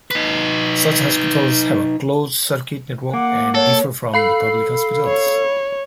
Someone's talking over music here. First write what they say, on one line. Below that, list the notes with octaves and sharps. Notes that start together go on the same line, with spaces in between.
Such hospitals have a closed circuit network and differ from the public hospitals.
D#4 B4
A#3 F#5 D6
A4 C#5
A4 F5 B5 C7
C#5